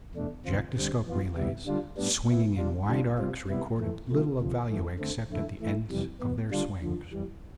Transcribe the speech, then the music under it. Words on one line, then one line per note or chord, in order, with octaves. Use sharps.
The projectoscope relays, swinging in wide arcs, recorded little of value except at the ends of their swings.
E2 B2 A3 D4
D2 C3 F3 C4 F4
D2 D3 G3 C4
F2 E3 B3 F4
D2 C3 G3 B3 E4
D3 G3 D4 F4
A2 G3 B3 D4
B2 B3 E4
B2 G3 D4 F4
D3 G3 D4 F4
C3 G3 C4 F4
C3 G3 B3 E4
F2 E3 A3
C3 F3 A3
D2 C3 F3
F2 E3 A3
D3 A3 C4
F2 D3 A3 E4
A2 E3 A3 E4
F2 C3 E3 G3
E2 B2 B3
D3 G3 D4 F4
F2 D3 F3
F2 E3 G3